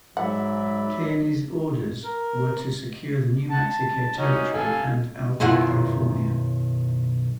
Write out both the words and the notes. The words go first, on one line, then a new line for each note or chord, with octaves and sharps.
Kearny's orders were to secure the New Mexico territory and Alta California.
G#2 F#3 D5 E5 F#5 B5
A#4
F#5 A5
A5
C#4 D#4 F#4
A4 F5 G#5
B1 F#2 D#3 E4 F4 F#5